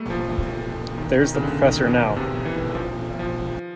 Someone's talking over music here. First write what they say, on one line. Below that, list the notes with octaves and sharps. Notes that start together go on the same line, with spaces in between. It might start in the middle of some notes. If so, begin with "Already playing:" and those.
There's the professor now.
Already playing: G3 A3 A#3
F3
D#3
D#3
C#3
D3
D#3
B2
C3
E3
F3
F3